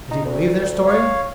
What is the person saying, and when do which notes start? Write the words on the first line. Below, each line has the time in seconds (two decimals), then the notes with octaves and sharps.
Did he believe their story?
0.11 D#4
0.25 D2
0.87 C#5 F5